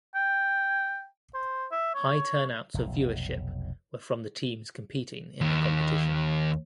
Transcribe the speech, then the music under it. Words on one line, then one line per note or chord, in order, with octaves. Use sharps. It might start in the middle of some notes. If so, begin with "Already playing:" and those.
High turnouts of viewership were from the teams competing in the competition.
G5
C5
E5
C#5
F1 B1
D#2